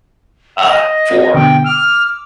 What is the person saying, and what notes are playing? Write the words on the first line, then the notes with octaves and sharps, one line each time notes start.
uh, for
D#5
C4 F#4 F5
B2 D3 G5
D6 E6 F6